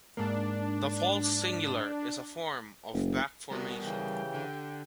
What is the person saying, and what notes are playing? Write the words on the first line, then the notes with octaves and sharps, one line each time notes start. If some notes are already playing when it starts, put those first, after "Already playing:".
The false singular is a form of back-formation.
G#2 A#3 D4
F#1
G3 B3 F#4 A#4 D5
C#3 E3 G4 G5
D3